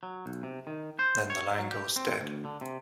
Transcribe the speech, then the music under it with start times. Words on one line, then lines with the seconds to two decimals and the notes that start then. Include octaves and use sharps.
Then the line goes dead.
0.03 F#3
0.26 B1
0.43 C3
0.67 D#3
0.99 C5
1.30 C#5
1.59 F#3
1.71 G4
1.96 C4
2.21 D2
2.45 D3
2.61 C3